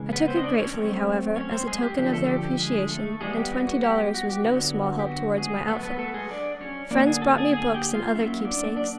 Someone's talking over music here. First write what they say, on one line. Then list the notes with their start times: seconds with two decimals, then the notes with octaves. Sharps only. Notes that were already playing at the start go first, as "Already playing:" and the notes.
I took it gratefully, however, as a token of their appreciation, and twenty dollars was no small help toward my outfit. Friends brought me books and other keepsakes.
Already playing: C#3 E3 G#3 C#4
0.13 B3 B4
0.28 C4 C5
0.37 D#5
0.43 D4 D5
0.59 C#4 C#5
0.74 F#3 A3 C4
1.36 C#4 C#5
1.51 C4 C5
1.67 G#3 G#4
1.83 G4
1.97 D3 F3 A3 G4
2.13 A3 A4
2.29 G4
2.44 G4
2.59 G#3 G#4
2.90 A3 A4
3.21 E3 G3 G#3 B3 G#4
3.37 G4
3.52 F#4
3.67 F#4
3.83 G4
3.98 G4
4.14 F#4
4.29 G4
4.45 D3 F#3 B3 F#4
4.99 G4
5.06 F#4
5.37 G#3 G#4
5.68 F#3 A3 B3 A4
5.83 B3 B4
5.99 A3 A4
6.14 G#3 G#4
6.30 D4 D5
6.61 C#4 C#5
6.91 D3 F#3 A#3 D4 D5
7.07 G#4 G#5
7.22 A4 A5
7.38 G#4 G#5
7.53 G#4 G#5
7.74 G4 G5
7.94 F4 F5
8.15 F#3 A#3 C#4 E4 E5
8.45 D4 D5
8.76 D4 D5